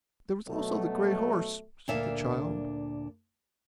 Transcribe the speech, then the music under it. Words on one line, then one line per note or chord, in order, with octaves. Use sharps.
"There was also the grey horse," said the child.
B2 F#3 A3
D2 A#2 D4 E5 F5